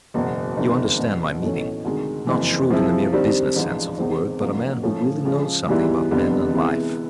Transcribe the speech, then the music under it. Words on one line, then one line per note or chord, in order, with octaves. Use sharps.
You understand my meaning; not shrewd in the mere business sense of the word, but a man who really knows something about men and life.
F#1 E2 B2
F#1 E2 C3 D#3
F1 E2 B2
B1 A2 E3 A3 C#4
D2 C3 D#3 G#3
F#1 F2 C#3 E3
C3 F3 G#3 C4 E4
G2 D#3 G3 C4
A1 G#2 F3
E2 C3 D#3 G#3 C4
F#1 F2 D3 F#3 A#3
A2 F3 A3 C#4
C#3 F3 G#3
G#2 E3 G3 B3 E4
F1 F2 D3 G3 B3
C3 E3 G#3 B3 E4